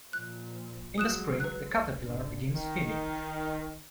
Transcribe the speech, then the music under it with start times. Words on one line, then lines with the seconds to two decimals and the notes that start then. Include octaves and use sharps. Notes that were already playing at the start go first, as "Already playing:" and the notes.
In the spring the caterpillar begins feeding.
0.13 A#2 F3 F#6
0.98 F#3 G#3 D#6 F#6 E7
1.40 B4 F#6
1.72 D2
2.05 G#1 D3
2.54 D#3